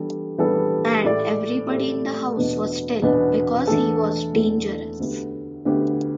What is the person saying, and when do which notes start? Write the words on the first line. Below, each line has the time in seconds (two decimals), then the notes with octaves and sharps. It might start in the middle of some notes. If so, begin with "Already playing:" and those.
And everybody in the house was still, because he was dangerous.
Already playing: E3 G3 B3 D4 A4
0.38 E3 G3 B3 D4 A4
1.04 A2 A3 G4 D5
1.70 A2 A3 G4 D5
2.36 E2 B2 B3 D4 B4
3.02 E2 B2 B3 D4 B4
3.67 E2 E3 A3 D4 A4
4.34 E2 E3 A3 D4 A4
5.00 D2 D3 B3 G4 B4
5.65 D2 D3 B3 G4 B4